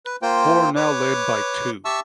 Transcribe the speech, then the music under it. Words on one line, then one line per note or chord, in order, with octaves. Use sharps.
Hore now led by two.
B4
A#3 F4 C5 G5
B4 C#5 D6
G4 E5 A5 C#6 E6